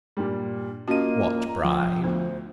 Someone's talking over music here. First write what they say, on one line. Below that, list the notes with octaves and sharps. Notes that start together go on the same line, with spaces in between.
What bride?
G2 A#2 G3
A#3 C#4 F4 F#4 D#5 D#7
A#5
F3 G5
D2 B3 C5